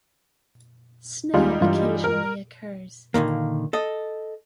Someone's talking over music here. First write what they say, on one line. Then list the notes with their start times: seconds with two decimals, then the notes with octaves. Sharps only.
Snow occasionally occurs.
1.34 D#2 G3 G#3 D#4 F4
1.61 G2 E3 F4
2.04 A#4
3.14 A#2 D3 D#3 A#3
3.73 A4 D#5